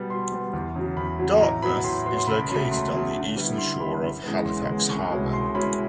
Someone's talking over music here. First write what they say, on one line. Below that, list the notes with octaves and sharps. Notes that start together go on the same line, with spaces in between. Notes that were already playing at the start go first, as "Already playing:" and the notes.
Dartmouth is located on the eastern shore of Halifax Harbour.
Already playing: B2 G3 B3
B2 C6
G3 B3
E2
C#3 F#3
E2 B5
C#3 F#3
A2 A#5
F#3 B3 B5
A2 C6
F#3 B3 C6
C6
C#2 B5
C#3 F#3 A3 B5
C#2 C6
C#3 F#3 A3
D3
G3 B3 E4
D3 C6
G3 B3 E4 B5
F#2
C#3 E3 G#3 B3
F#2 C6
C#3 E3 G#3 B3
C2 C#6
B2 G#3 C#4 E4
C2 C6
B2 G#3 C#4 E4 B5